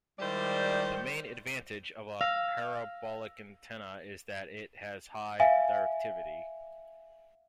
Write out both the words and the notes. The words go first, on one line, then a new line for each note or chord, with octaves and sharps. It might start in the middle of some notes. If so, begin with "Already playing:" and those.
The main advantage of a parabolic antenna is that it has high directivity.
D#3 G3 G#3 E4 C5 D5
F5 E6 A#6
E5 F5 G#5